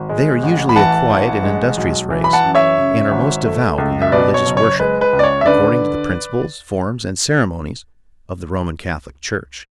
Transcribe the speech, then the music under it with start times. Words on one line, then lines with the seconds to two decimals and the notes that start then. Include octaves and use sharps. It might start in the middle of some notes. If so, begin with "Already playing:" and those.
They are usually a quiet and industrious race, and are most devout in their religious worship, according to the principles, forms, and ceremonies of the Roman Catholic Church.
Already playing: G#1
0.09 G#3
0.43 A1
0.69 B5
0.76 E3 F#5 A5
1.10 A1
1.43 G#3
1.77 B1
2.10 E3
2.24 B5
2.33 F#5 A5
2.44 F#2
2.55 C#5 E5
2.78 C#3
3.11 G#1
3.45 A3
3.78 C#2
4.02 E5
4.12 B2 B4 D5
4.34 C#5
4.46 F#1
4.57 C#5
4.79 G#3 B4
5.01 B4
5.13 C#2
5.19 D5
5.24 C#5
5.41 E5
5.46 D3 B4 D5